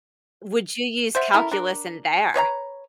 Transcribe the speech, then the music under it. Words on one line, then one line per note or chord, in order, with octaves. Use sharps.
would you use calculus in there?
C5 D5 E5 F#5
C#4 E4 A4 A#4
D4 A#4
B4 C#5 D#5 A#5